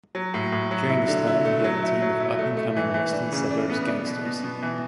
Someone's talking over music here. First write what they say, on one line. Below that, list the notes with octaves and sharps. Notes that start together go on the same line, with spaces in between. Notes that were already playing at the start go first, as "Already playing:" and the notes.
During this time he had a team of up-and-coming western suburbs gangsters.
F#3
A2
A2
F#3
E4
D3
E4
A3
F#3
E4
F#3
E4
A3
A3
E3
E3
D4
C#3
D4
B3
D4
B2
B2
B2
E3